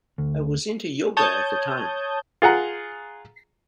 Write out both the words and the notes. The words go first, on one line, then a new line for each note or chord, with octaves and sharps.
I was into yoga at the time.
D2
C#5 A5 D#6 G6 G#6
F4 G#4 F#5 A#5